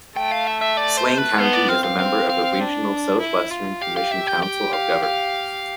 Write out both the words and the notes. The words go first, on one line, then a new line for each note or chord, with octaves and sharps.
Swain County is a member of the regional Southwestern Commission council of governments.
A3 G5
F5
E5
E5
D5
C5
B4
B3 C5
D5
C4 F5
F5
C4 F5
F5
D4
E4
F4
G4 F5
F5
E5
G5
G5
F5
F5